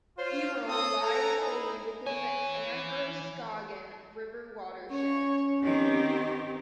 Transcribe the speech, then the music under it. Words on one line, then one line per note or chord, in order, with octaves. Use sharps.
Errol lies fully within the Androscoggin River watershed.
F4 C5 C#5
C4 A4 C#5 D#6
A4 F#5 G#5 A#5
D#4 E4 G#4
E3 C#5 G#5
C#4 C#5
D#3 B3 C4 G4